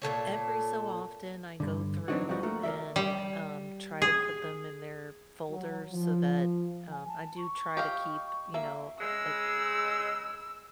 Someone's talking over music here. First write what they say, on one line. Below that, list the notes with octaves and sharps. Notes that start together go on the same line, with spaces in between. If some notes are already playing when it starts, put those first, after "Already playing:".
Every so often, I go through and, um, try to put them in their folders so that um, I do try to keep, you know, l like,
A#2 F#3 A4 C#5
G2 D3
F#3 C4 D4 D#4 F#4
F3 G3 D#4 F#4
A3 A#3 F#4 A#4
A#4 D5 E5
G3
G#4
F#3
F3
G#5
A5
C#6
G4 D#5 F5
A#3 E5
C#3 G#3 E6